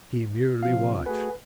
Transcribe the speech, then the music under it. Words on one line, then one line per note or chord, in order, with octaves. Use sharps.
He merely watched.
C3 F3 F5
A3 F#4 G#4 B4